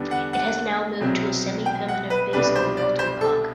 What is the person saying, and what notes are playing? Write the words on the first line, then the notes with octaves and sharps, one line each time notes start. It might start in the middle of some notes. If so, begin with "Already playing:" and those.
It has now moved to a semi-permanent base in Milton Park.
Already playing: E2 D3 G3 B3 D4
F#5
F#5
C2 B2 F#3 C4
G5
F#5
B4
C2 B2 G3 D4 B4
C5
D5
C5
A4